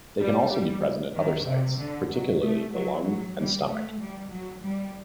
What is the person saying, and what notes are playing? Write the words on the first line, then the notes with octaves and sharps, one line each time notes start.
They can also be present at other sites, particularly the lung and stomach.
G3
G3
D#3
C3
D3
F#3
A3
F#3
F#3
G3
A3
G3
F#3
G3